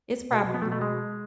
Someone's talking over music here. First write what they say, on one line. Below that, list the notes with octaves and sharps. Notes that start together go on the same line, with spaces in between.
it's probably"
B2
B2
B3
B2 A3
A3
G#3